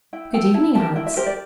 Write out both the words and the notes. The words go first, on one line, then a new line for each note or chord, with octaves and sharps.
'Good evening, Hans.
E4 G5
A4 G5
E4 A5
G4 A#4 A5
E4 G5
E5
G4 A#4 C5
D5